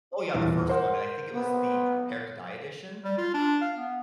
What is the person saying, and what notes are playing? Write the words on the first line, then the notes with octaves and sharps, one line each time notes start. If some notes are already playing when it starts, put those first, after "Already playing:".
oh, yeah the first one, and I think it was the Prepared to Die edition.
D#1 E2
A#4 C5 F#5
B3
G3
F4
D4
F5
B3